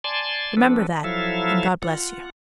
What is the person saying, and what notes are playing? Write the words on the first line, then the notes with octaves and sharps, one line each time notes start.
Remember that, and 'God bless you!'
D5 G#5 A5 C6
F3 C4 D4 A4 B4
F3 F#3 E4 A4 E5 F5
F4 F#5